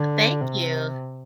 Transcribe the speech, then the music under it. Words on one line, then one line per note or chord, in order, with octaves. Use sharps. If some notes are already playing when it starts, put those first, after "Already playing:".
Thank you.
Already playing: D3
C3